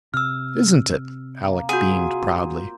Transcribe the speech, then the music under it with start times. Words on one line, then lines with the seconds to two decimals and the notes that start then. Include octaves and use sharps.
"Isn't it?" Alec beamed proudly.
0.14 C3 E6 F6
1.44 A#3
1.69 C4 F4 F#4 G#4 C5 F#5